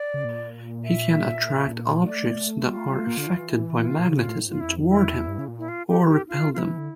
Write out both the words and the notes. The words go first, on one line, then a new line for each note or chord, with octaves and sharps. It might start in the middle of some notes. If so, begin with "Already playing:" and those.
He can attract objects that are affected by magnetism toward him or repel them.
Already playing: D5
C#3
A#2
E5
A3 D5
G3 F4
A3
G3
A3
A#3
D3
E3
E4
F4
A#2
C#3
F4
A2
G2 F4
E2 E4
F2
E2 E4
F2
E2
G2
C#3
A#2
E4
F4
G4
G4
F4
F4
F3 E4
E3
D3